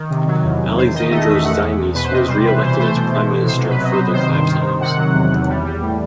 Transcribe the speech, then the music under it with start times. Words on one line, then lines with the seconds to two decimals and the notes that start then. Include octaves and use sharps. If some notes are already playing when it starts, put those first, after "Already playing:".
Alexandros Zaimis was re-elected as Prime Minister a further five times.
Already playing: D#3
0.10 C3
0.27 F#3
0.44 E2
0.60 E2
0.77 E2 C5
0.94 D#3 D#5
1.11 A3 D#5
1.28 E2 E5
1.45 E2 F#5
1.62 E2
1.78 E2
1.95 B2 B4
2.04 C5
2.12 C3 D#5
2.28 G3 C5
2.45 E3 B4
2.63 E3 C5
2.79 A3 C5
2.96 B2
3.13 B2
3.29 B2
3.47 C3 C5
3.63 F#3
3.69 B4
3.80 F#3 D#5
3.91 C5
3.97 C3
4.14 D#3 C5
4.31 G2
4.47 D#3
4.64 D#3
4.81 C3 F#5
4.97 F#3
5.14 E2
5.31 E2
5.48 G3
5.65 G3
5.82 A2